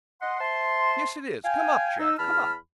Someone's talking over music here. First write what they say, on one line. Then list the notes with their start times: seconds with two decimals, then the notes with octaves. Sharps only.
Yes, it is. Come up, Jack; come up.'
0.21 D#5 F#5 C6
0.40 C5 E5 A5 C6
1.45 F5 G5 G#5
1.99 D#4 E6
2.19 E2 A5 B5 F6